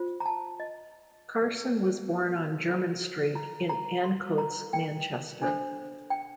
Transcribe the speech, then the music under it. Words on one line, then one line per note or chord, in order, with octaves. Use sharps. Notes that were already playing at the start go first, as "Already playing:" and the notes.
Carson was born on German Street in Ancoats, Manchester.
Already playing: F4 C5
A#5
A5
D#5
F4 A4 C5
A#5
A#5
C6
A#5
G5
D4 A4 C5
G5